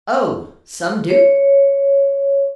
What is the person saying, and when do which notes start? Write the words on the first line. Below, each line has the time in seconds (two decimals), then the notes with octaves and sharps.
"Oh, some do!"
1.10 C#5